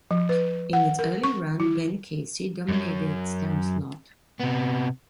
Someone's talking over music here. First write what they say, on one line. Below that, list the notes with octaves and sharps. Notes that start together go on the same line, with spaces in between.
In its early run, "Ben Casey" dominated its time slot.
F3
B4
F#5
A#4
C#6
E4
F#2 F#3
C3 B3